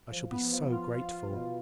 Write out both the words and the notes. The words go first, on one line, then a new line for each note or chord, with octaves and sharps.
I shall be so grateful.'
F3
B3
F3
F4
F4
F4
B2